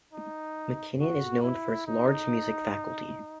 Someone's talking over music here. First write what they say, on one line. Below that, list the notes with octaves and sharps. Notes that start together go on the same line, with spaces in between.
McKinnon is known for its large music faculty.
D#4
F#4
E4
D#4